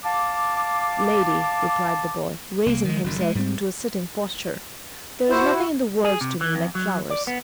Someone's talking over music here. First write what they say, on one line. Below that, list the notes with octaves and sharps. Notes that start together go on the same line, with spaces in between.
"Lady," replied the boy, raising himself to a sitting posture, "there is nothing in the world to me like flowers."
F5 A5 D6
C2 G#3 A#3
D#3 G#3
F#1 F#2 D#3
G#3
G#2 G3 G#3 C4
E4 F#4 C5
G#4
C3
E3
F2
F#3
D5
B3